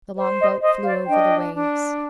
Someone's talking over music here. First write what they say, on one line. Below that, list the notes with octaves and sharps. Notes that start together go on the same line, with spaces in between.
The longboat flew over the waves.
C5
D#5
C5 D#5
D5 F5
D4 D#5 G5
D4